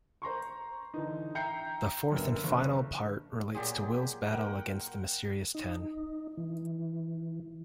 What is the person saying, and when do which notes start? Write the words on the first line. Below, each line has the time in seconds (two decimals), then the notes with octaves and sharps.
The fourth and final part relates to Will's battle against the mysterious Ten.
0.22 C5 A#5 C6 C#6
0.94 D3 E3 D#4
1.35 E5 G5 A#5 G6 C7 C#7
2.12 F#2 A#2 D3 B3
2.44 F#1 D3
3.54 A#2 F#3 G#3 G4 G#4
4.32 A#4 F#5 G5
5.55 D#4
6.37 E3